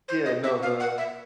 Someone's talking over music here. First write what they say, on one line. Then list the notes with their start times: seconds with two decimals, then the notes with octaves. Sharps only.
Yeah, no the
0.08 C5
0.26 D#5
0.44 E5
0.62 F5
0.80 F#5
0.98 E5